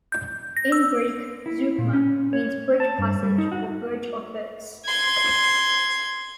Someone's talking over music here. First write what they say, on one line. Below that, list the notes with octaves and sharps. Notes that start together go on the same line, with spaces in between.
In Greek, "zeugma" means "bridge-passage" or "bridge of boats".
G6
A#6
E6
E4
A#2
C#4
C#5
A5
G2
G3
D#4
F#4
C6 G#6